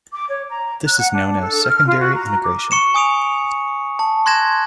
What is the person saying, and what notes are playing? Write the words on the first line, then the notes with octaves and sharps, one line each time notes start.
This is known as "secondary immigration".
D6
C#5
A#5
F#6
F#5
D4
A4
F6
F4
F#4
A#5
D6
C#6 C#7 E7
G#5 D#6 D7 F7
A5
C6 F#6 G#6 A#6 E7